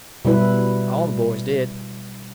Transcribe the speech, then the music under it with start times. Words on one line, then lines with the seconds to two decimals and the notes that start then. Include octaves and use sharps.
All the boys did.
0.25 B2 G3 E4 B4